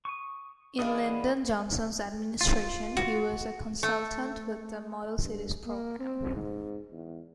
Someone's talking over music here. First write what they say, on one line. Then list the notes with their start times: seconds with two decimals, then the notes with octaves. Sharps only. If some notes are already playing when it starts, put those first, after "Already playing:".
In Lyndon Johnson's administration he was a consultant with the Model Cities Program.
0.05 C#6 D#6
0.79 E3 B3 D4 G#4 A#4 D#5 F5
2.41 F4
2.97 F#4
3.83 A3
5.21 G2
5.66 A#3
5.99 C4
6.36 G#2
6.92 E2